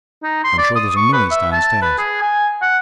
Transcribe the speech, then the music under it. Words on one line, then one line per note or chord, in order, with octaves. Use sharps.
I'm sure there's a noise downstairs.
D#4
C6
D5
D#6
C#6
B4
E5
A5
B4
G#4
G#5
F#5